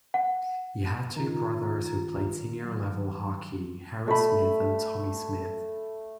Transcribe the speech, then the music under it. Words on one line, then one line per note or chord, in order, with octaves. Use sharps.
He had two brothers who played senior-level hockey Harry Smith and Tommy Smith.
F#5
D#3 F4 A#5
F#3
A3 B5